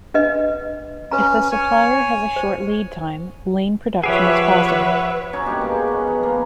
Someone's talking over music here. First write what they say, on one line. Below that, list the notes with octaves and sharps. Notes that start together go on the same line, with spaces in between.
If the supplier has a short lead time, lean production is possible.
D4 B4 D#5
C#4 B4 A#5
C#5 G#5
C5
F3 G4 G#4 B4 C#5 E5 F#5
F#3 C#4 D#4 C#5
G2 B2 A#3 G4
G#3
B3 C#4
D#3 F3
A#3 B3